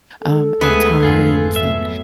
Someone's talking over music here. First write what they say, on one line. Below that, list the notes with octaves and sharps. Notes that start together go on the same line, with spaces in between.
um, at times, and
G#3 A4
D2 G#3 B3 G#4 B4 E5
G#1 F2 A3 F4 G#4
F#3 A3 B3 E5